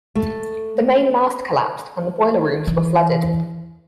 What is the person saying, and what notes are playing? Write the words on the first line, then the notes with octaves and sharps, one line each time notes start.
The main mast collapsed and boiler rooms were flooded.
A3
E3